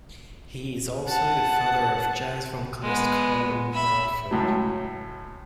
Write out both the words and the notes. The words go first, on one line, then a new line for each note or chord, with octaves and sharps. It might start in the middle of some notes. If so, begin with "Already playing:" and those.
He is also the father of jazz vocalist Carmen Bradford.
F#5 A5
G#3 B3
E5 B5
C#2 A2 F#3